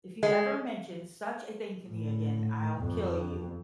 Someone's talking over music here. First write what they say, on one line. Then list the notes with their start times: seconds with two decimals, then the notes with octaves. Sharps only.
If you ever mention such a thing to me again, I'll kill you.
0.23 G#3
1.88 A2
2.79 F2